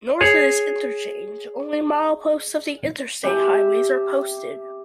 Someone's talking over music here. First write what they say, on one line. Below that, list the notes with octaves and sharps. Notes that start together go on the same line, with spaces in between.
North of this interchange, only mileposts of the Interstate highways are posted.
G#4 C#5
G4 E5 G#5 A5